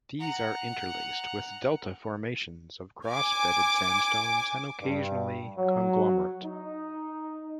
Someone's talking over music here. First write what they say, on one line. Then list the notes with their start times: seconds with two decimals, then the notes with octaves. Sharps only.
These are interlaced with delta formations of cross-bedded sandstones and occasionally conglomerate.
0.20 F#5 A#5
3.06 G#5 D6
4.81 G2
5.56 F#3
6.43 D#4